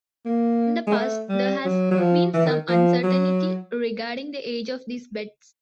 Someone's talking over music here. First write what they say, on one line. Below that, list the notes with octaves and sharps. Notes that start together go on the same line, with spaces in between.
In the past, there has been some uncertainty regarding the age of these beds.
A#3
G#3
A3
G3
F#3
F#3
F3
E3
D#3
F3
F#3